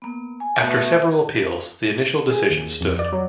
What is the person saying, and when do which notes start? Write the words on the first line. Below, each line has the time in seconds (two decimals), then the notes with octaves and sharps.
After several appeals, the initial decision stood.
0.02 A#3 B3
0.40 G#5
0.60 B2 A3 E5
2.30 G#4
2.50 D#2
2.81 F2
2.99 D5
3.12 F#3